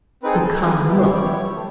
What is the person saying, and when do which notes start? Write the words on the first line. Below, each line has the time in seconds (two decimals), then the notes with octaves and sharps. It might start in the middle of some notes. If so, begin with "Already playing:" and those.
But, come--look!
0.23 C4 D#4 G#4 B4
0.34 A4
0.45 A4
0.56 C4 D#4 G#4 A#4
0.66 B4
0.78 B4
0.89 B3 E4 G4
0.97 C5
1.05 C#5
1.14 D5
1.21 B3 E4 G4 C#5
1.55 A3